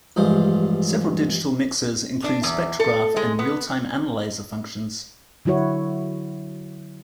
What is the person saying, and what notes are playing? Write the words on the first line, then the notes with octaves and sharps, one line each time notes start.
Several digital mixers include spectrograph and real time analyzer functions.
A1 G2 F3 G#3 C5
D4
E2
A4
G#3
B3
D3 F#3 E4 F#4 C#5